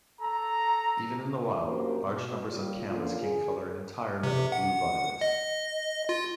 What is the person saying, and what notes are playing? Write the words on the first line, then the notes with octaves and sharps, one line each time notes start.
Even in the wild, large numbers of camas can color an entire meadow blue-violet.
A4 A#5
F#2 A#3 D4 G4 A#4 C5
B2
D#2 G3 F4
A#2 D3 A#3 C#4 F4
D3 G#4
C3
F#5
D#5
F4